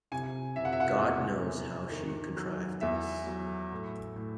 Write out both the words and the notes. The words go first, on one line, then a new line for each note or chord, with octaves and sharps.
God knows how she contrived this.
C3 G#5
C3 E5
F#5
E5
F#5
E5
E2
E2
D#3
F#3
E2 E5
F#3
A2
A2